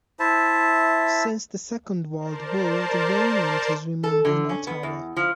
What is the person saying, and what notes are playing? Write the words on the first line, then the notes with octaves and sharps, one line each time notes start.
Since the Second World War, the regiment has remained in Ottawa.
E4 C5 E5 A5
A#4 C5 D5 A5
A4
D3
C#4
B3
E2
F3